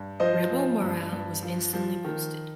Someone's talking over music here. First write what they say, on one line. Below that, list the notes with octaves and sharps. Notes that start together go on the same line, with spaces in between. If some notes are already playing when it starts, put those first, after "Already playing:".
Rebel morale was instantly boosted.
Already playing: G2
F3 C5 D#5
F3
G2
G2
F3
F3
D#3